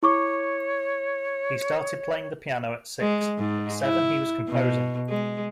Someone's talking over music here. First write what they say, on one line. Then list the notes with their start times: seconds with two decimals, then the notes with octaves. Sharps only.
He started playing the piano at six; at seven he was composing.
0.03 E4 C#5 C#6 D6
3.00 G#3
3.38 G#2
3.82 E4
4.48 B2
5.09 G#3